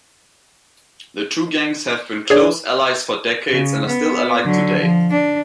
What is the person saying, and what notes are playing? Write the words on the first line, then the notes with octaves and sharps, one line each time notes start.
The two gangs have been close allies for decades and are still allied today.
D4 G#4 C#5
C#3
B3
D3 F#3
F3
D4